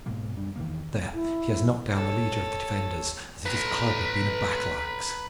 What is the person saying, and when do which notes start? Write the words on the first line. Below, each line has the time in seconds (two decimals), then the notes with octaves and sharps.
There, he has knocked down the leader of the defenders as if his club had been a battle-axe.
0.06 G#2 B2 G#3 A#3
0.36 F#2 G3 D4
0.56 E2 D#3 E3 A#3
1.14 E4
1.95 A4 C#5
3.46 B4 A#5